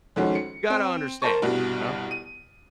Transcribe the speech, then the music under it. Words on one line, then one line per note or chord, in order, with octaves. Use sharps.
you gotta understand," you know?
F2 D#3 G#3 C#4 F#4
C#7
C4
A#4 C5 A5 C#6
C2 G2 B2
D#7